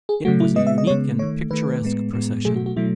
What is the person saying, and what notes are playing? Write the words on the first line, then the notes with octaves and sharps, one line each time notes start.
It was a unique and picturesque procession.
G#4
C#3 F#3 A3 F#4
E4
C#3 G#3 B3 D#5
E5
D#5
C#3 G#3 B3 C#5
D#3 A3 C#5
D#3 A3 B4
A2 G#3 B3
A2 G#3 B3
B2 F#3 A3 G#4
F#4
F#4
B2 F#3 A3 E4